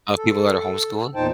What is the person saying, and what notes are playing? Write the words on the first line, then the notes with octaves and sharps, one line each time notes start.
Of people that are homeschooling?
A4
E2 A#2 D#4 C5 G5 A5